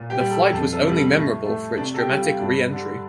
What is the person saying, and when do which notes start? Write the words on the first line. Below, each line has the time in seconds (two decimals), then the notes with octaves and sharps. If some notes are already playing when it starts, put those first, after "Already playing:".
The flight was also memorable for its dramatic re-entry.
Already playing: A#2
0.10 G4
0.20 G3
0.30 A4
0.52 F2 A4
0.72 A4
0.83 C3 G3
0.93 A4
1.15 A2
1.46 A3
1.77 C3 D4
1.94 A4
1.98 G4
2.09 G3
2.19 F4
2.40 G2 D4
2.71 D3 G3